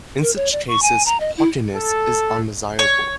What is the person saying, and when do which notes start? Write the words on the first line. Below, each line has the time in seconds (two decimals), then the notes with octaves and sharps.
In such cases, blockiness is undesirable.
0.22 A#4
0.36 C#5
0.52 D5
0.68 C#6
0.82 G#5
1.06 A#5
1.20 D#5
1.37 E4
1.75 A4
2.79 C#5